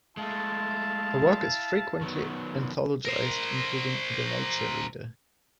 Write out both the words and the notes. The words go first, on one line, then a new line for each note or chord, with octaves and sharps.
Her work is frequently anthologised, including "The Nature Reader".
G#3 A3 E4 F5 A5
D#3 F#3 B3
A#4 C5